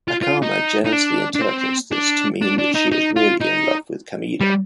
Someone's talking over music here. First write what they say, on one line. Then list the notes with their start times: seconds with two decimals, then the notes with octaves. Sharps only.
Akama jealously interprets this to mean that she is really in love with Kameda.
0.08 F4
0.23 F4
0.42 D#4
0.86 D#4
0.93 D4
1.36 D4
1.42 C4
1.92 D4
2.41 D4
2.58 D4
2.75 D#4
2.92 D#4
3.16 F4
3.41 D#4
4.41 G3